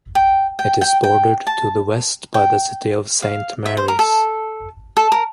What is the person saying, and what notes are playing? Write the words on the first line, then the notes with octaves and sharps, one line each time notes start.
It is bordered to the west by the city of Saint Marys.
G5
G5
G5
G5
A5
G5
F5
E5
C5
A#4
A4
A4
A#4